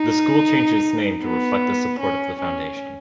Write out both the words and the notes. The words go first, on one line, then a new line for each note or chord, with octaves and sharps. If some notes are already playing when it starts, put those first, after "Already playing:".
The school changed its name to reflect the support of the Foundation.
Already playing: D#4
B3
C#4
C#4